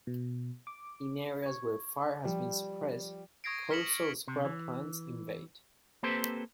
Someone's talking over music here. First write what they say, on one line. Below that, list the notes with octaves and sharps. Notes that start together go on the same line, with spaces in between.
In areas where fire has been suppressed, coastal scrub plants invade.
B2
D6
C#6 G#6
F3 G3
C#6 D#6 G#6 A#6 C7 D7
F6 B6 C#7 E7 F#7
C3
E3
A#3 C4 G4 A4 B4 C5